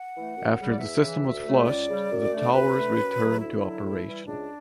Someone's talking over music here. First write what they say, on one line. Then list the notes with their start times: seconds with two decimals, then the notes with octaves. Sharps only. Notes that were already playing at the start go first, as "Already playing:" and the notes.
After the system was flushed the towers returned to operation.
Already playing: F#5
0.15 E3 A3
0.36 F#2
0.58 C#3 G3
0.68 D5
0.79 E2 E5
1.01 C#3 E3
1.23 D2
1.45 C#3 F#3 A3
1.66 C#2 D5
1.88 C#3 G3
2.10 F#2
2.31 D3 A3
2.53 D2 B4
2.74 D3 A3
2.97 F#2
3.18 C#3 F#3 A3
3.40 D2 E4
3.61 D3 F#3
3.83 A2
4.05 E3 G3
4.26 C#2 D4